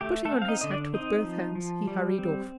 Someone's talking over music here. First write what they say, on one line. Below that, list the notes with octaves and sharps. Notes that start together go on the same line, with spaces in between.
Putting on his hat with both hands, he hurried off.
A3 G4
A3 A4
C4
F5
D#4 D#5
D3 D#5
D4 D5
C4 D#4 D#5
F3
F3
G3
C4